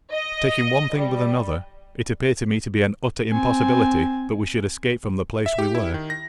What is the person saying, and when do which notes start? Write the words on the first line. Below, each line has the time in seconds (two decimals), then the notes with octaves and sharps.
Taking one thing with another, it appeared to me to be an utter impossibility that we should escape from the place we were.
0.11 D#5
0.95 G3
3.31 C4 G#5
5.46 E5
5.59 G4
5.75 E4
5.94 D#3
6.10 A#6